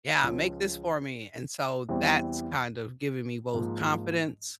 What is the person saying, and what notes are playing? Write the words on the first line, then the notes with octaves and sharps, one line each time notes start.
Yeah, "Make this for me," and so that's kind of giving me both confidence
C#2 C#3 F3
E2 E3 G3 C4
G#2 F3 A#3